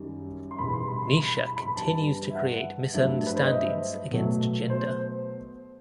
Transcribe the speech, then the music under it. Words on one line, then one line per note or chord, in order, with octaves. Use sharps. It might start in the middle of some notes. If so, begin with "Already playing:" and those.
Nisha continues to create misunderstandings against Genda.
Already playing: F#2 D#3 G3
C6
E2 B2 G3 B5
C6
B5
C6
B5
B5
B5
G2 E3 G3 A5
E5
F#5
G2 F#3 A3 E5
B4
C5
D#5
E5
B2 F#3 A3
C5